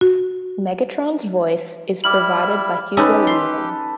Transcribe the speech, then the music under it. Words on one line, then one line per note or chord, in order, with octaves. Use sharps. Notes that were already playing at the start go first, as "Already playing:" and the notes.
Megatron's voice is provided by Hugo Weaving.
F#4
G3 E4 D6 F6 F#7
C#4 D#4 G4 A4 B4
C6